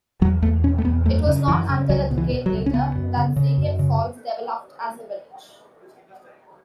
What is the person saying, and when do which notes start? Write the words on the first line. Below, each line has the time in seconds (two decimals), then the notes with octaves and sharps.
It was not until a decade later that Seguin Falls developed as a village.
0.21 E2 F#3
0.42 E2 A3
0.63 B2 C#4
0.78 A3
0.84 E2 B3
1.05 F#2 A3
1.27 C#3
1.47 F#2 E3
1.69 C#3
1.89 C#2 F#3
2.11 B2
2.18 E3
2.32 B2
2.46 F#3
2.53 C#2
2.66 C#4
2.73 C#3 B3
2.95 F#2
3.17 C#3
3.36 C#3
3.58 F#2
3.79 C#3